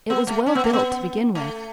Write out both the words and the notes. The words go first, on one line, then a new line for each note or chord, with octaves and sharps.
It was well built to begin with.
B3
A3
C#4
B3
A3
B3
A3